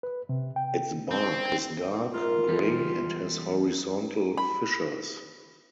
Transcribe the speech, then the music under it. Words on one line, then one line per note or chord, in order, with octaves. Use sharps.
Its bark is dark grey and has horizontal fissures.
B4
C3
G5
C4
G#2 C3 F4 A#4
E2 G3
B5